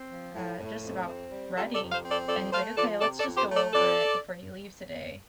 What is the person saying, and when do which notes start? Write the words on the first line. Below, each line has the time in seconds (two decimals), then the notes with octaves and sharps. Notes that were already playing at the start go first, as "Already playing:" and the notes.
uh, just about ready." And he's, like, "Okay. Let's just go over it before he leaves today,"
Already playing: C4
0.11 F3
0.35 A2
0.59 A2
0.83 F2
1.07 C4
1.31 G3
1.56 C3 F4 A4
1.74 A4 D5
1.80 F2
1.92 C5 F5
2.04 C4
2.10 A4 D5
2.28 F2 A4 D5
2.52 A3 C5 F5
2.77 F3 A4 D5
3.01 C3 A4 D5
3.19 A4 D5
3.26 F2
3.37 G4 C5
3.49 A3
3.55 A4 D5
3.73 F2 A4 D5